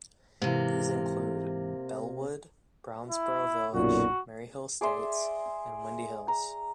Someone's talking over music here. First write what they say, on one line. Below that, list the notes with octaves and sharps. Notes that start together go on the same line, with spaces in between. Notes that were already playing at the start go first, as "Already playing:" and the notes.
These include Bellewood, Brownsboro Village, Maryhill Estates and Windy Hills.
G#2 C3 E3 A#3
E4
B1 F#2 A#2 F#4
G#4 D5 E5 C6
A#5